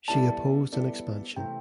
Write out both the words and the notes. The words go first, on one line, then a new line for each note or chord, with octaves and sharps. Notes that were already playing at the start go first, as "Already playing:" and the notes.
She opposed an expansion.
G3 B3 E4 A4 D5 A5
G3 B3 E4 A4 D5
C3 E3 A3 C4 G5